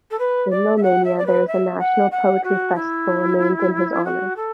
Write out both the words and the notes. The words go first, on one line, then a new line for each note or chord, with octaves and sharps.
In Romania, there is a national poetry festival named in his honor.
A4
B4
D5
E5
F#5
E5
D5
B4
E5
F#5
F#5
F#4
E4
F#4
A4